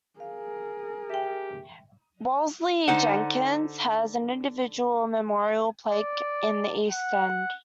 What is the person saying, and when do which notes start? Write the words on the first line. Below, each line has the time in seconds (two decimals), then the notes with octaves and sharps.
Wolseley-Jenkins, has an individual memorial plaque in the east end.
0.20 G#4 A#4 F5
1.10 G4 E5 G5
2.88 D3 D#4 C5 F#5
5.89 D5
6.90 F#5